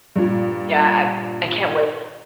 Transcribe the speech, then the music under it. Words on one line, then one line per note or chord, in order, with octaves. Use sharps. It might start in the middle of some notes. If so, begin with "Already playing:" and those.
Yeah, I I can't wait.
G2 A#2